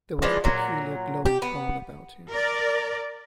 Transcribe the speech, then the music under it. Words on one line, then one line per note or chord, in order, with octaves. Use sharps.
There was a peculiar glow and charm about him.
E3 F3 G#3 D4
A#2 F#3
G4
B3
A#4 D5